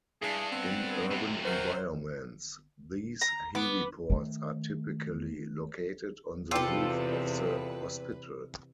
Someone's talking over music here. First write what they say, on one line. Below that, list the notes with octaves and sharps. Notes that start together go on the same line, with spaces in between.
In urban environments, these heliports are typically located on the roof of the hospital.
G2 D4 E4 G#4
B3 C4
F#2 C3
F#4 A#4 C5
A#5
B3 D6
D#3 A3
E2 C3 F4 A4 B4 G5 D6 E6